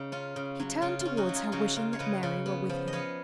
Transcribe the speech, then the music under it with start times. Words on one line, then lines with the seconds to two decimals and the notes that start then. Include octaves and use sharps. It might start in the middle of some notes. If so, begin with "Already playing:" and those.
He turned towards her, wishing that Mary were with him.
Already playing: C#3 D#4
0.12 C#4 F4
0.36 C#3
0.59 F#3
0.82 C#3 F4
1.00 C#4 F4
1.17 D#4 F#4
1.29 F#3
1.35 F4 G#4
1.52 C#3 D#4 F#4
1.76 C#3 F4
1.93 C#5
1.99 C#3 B4 D#5
2.23 C#3
2.46 B3
2.69 F3
2.88 D#5
2.93 B3 C#5 F5